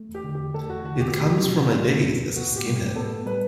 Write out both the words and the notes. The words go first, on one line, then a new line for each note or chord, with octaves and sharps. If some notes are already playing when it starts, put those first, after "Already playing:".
It comes from my days as a skinhead.
Already playing: A3
E2
G4
D3
E2 G4
A3 A4
E2 F#4
D3 F#4
E2 G4
A3
C#4
B2
C#2
A3
C#4
B2
C#2
B3 F#4
A2 G4
G3
A2 G4
B3 A4
A2
G3 B4